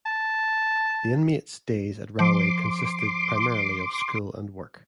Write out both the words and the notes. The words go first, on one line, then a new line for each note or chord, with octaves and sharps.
The inmates' days at Rahway consisted primarily of school and work.
A5
F3 C6 D6